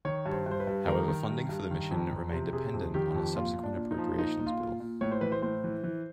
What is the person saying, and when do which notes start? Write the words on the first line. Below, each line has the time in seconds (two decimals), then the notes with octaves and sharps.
However funding for the mission remained dependent on a subsequent appropriations bill.
0.05 D#3 C#5
0.26 G2
0.32 C5
0.46 G2
0.51 C5
0.60 B4
0.67 G2
0.87 D#3 A#4
1.08 D#3
1.29 G2
1.49 G2
1.71 D#3
1.91 F2
2.12 F2
2.32 C3
2.53 C3 G#4
2.74 F2
2.94 D#3 G4
3.15 F2
3.35 A#2 F4
3.56 A#2
3.64 D4
3.77 A#2
3.91 D#4
3.98 F3
4.18 A#2 D#4
4.39 A#2
4.46 F4
4.60 A#2
4.80 A#2
5.01 A2 C#5
5.12 C5
5.21 E3 B4
5.32 C5
5.42 A2 C5
5.64 E3
5.84 E3